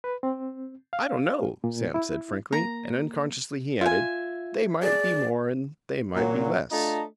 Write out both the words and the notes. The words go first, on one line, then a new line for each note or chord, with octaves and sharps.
"I don't know," Sam said frankly, and, unconsciously, he added, "They might be more and they might be less."
B4
C4
F5
A#2
E4
A#3 A#5
F4 E5 G#5
G#4 D5
A#2 F#3
A3 D4 F4 D#5 A5 A#5